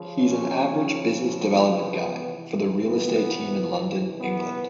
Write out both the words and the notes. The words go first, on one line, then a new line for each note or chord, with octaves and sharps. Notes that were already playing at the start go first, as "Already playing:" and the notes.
He's an average business development guy for the Real Estate Team in London, England.
Already playing: C#3 F3
C#4
B3
C3 E3
B3
B3